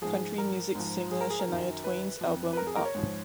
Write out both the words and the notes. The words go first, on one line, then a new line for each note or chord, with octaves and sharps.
Country music singer Shania Twain's album Up!
G#2 F3 G#4
A#4
G#2 F3
G#4
A#4
G#4
A#4
F#2 D#3
B4
F2 F3
B4
A#4
G#4
A#4
C#5
G#2 F3